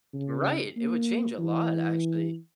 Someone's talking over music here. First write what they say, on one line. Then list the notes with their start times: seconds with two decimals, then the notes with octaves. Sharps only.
Right. It would change a lot, actually.
0.14 C#3
0.77 A#3
1.39 E3